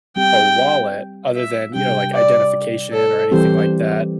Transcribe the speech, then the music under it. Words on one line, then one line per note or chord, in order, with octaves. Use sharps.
a wallet, other than, you know, like, identification or anything, like, that.
G3 C4 G4 G5
E5
C3 G3 D4 G4 G5
D5
A4
E3 G3 C4 G4 C5